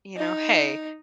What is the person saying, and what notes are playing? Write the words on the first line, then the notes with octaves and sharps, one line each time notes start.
you know, "Hey,
D#4